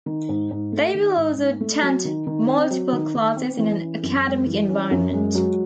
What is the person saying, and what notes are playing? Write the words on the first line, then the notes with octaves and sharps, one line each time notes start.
They will also attend multiple classes in an academic environment.
D#3
G#2
G#2
A3
D#3
G#2
G#2
A3
F#3
D#3
D#3
C4
F#3
D#3
D#3
C4
E3
C#4
F#2
G#3
E3
C#4
F#2
G#3
F#3